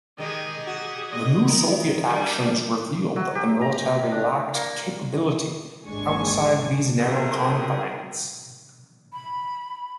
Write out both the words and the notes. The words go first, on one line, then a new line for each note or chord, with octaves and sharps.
The new Soviet actions revealed that the military lacked capability outside these narrow confines.
D#3 G#3 G4 G#4 D#5
F#4
D#5
D#3 D#4 A#4
G3 D4
F#3
G4
A#5
D4
A#3
G#1 D#2 G#3 D4 G#5 C#6
F2 G#2 B2 F#3 G#4 A#4
B5